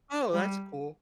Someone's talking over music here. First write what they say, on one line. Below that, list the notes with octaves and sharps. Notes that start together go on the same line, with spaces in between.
Oh, that's cool.
G3